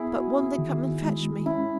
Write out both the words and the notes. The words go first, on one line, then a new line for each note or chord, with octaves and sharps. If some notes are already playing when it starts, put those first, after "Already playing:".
"But won't they come and fetch me?"
Already playing: B3 E4 G#4
F#4
D#3
G#3
C#4 E4